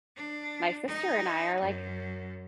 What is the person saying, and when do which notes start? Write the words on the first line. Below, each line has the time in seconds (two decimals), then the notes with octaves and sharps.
my sister and I are, like
0.16 D4
0.87 D#4
1.60 F#2